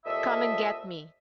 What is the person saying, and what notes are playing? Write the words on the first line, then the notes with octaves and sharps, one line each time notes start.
Come and get me!
C2 A#2 A4 D#5 E5